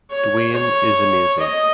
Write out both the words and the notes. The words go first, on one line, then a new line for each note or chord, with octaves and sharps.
Dwayne is amazing.
C#5
C#5
D#5